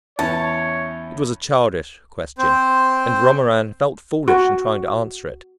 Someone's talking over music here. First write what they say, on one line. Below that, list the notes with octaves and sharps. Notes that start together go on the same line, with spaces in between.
It was a childish question, and Romarin felt foolish in trying to answer it.
E2 C#4 C#5 A5
C4 C5
F#4